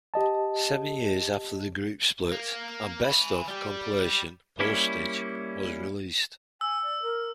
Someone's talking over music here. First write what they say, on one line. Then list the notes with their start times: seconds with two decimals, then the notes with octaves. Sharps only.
Seven years after the group split a 'Best Of' compilation, "Postage", was released.
0.14 G4 D#5 A5
2.32 A#3
3.05 G#5 B5
3.48 G3 G4
4.60 G3 A#3 C#4 E4
6.61 G#5 E6
6.82 D5
7.02 A#4